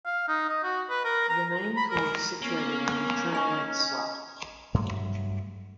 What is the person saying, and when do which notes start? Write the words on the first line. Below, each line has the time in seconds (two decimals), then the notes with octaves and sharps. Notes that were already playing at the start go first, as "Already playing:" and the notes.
The main core is situated on the Trent Lakes side.
0.06 F5
0.28 D#4
0.49 D#5
0.63 F#4
0.90 B4
1.05 A#4
1.29 A#5
1.56 A#5
1.77 B5
1.90 A#4
2.42 A#3 B3 C#4
3.33 D#4 D#5 G#5 C#6
4.74 G2 F#3 A3